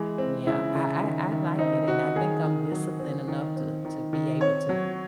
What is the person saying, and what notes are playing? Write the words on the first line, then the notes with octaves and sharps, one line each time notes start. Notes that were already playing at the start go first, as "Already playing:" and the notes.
yeah, I I I like it, and I think I'm disciplined enough to to be able to,
Already playing: E3 G#3
C4
C#3 E4
C#3
D#3
D#3
C4 D#4
C4 F#4
D#3 G#4
D#3
F#3
C4
D#3
C4
D#3
D#3
C4 C#5
F#3